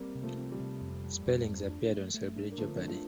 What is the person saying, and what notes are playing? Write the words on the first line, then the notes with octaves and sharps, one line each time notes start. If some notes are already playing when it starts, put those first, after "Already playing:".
Spellings appeared on Celebrity Jeopardy!
Already playing: G3 A#3 C4
C3
F3 A3
C4
G3
C3
F2
G3
F2
C4
D4
A3
A3
D4
A#3
D3 F3 A3
D4
F3 A3